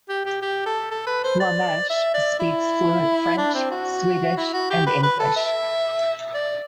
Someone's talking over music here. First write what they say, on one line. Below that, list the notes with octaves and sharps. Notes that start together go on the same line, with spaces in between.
Lameche speaks fluent French, Swedish and English.
G4
G4
G4
A4
A4
B4
C5
D5
E5
D5
E4
D4
C4
F#4
E4
F#4
G4
B4
B4
A4
E5
D5